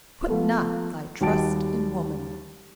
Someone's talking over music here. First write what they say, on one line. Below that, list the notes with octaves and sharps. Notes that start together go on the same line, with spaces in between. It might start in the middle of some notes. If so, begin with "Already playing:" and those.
Put not thy trust in woman!
F3 A3 B3
D#2 G3 F#4 G5 A5 D7